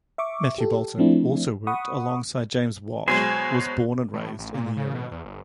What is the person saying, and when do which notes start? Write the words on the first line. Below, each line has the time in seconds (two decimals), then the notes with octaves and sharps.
Matthew Boulton also worked alongside James Watt, was born and raised in the area.
0.18 E5 C#6 D6
0.58 G4 A4
0.98 F3 A3 C4 D4 E4
1.67 F#5 B5 C#6 D#6
3.08 B2 F#3 G#3 C5 G#5
4.13 A2
4.39 A1
4.54 A#2
4.77 C#3
4.94 B2
5.11 E2
5.25 G1